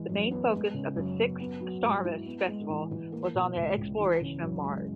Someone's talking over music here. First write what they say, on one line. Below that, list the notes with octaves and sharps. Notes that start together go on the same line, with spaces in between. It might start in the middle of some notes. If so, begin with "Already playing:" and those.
The main focus of the sixth Starmus Festival was on the exploration of Mars.
Already playing: E3 G#3
F#2
B3
G#3
C#3
F#2
B3
B3
F#3
G#2
E4
B3
G#3
E3
E3
A#3
B2
C#2
C#2
E3
C#3
F#2
G#3